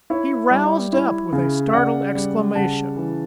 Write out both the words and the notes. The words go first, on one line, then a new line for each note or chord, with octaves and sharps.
He roused up with a startled exclamation.
E4 C#5 E5
G3
E4
C#3
E5
C#3 D5 F#5
G3
C#3 F#5 A5
E3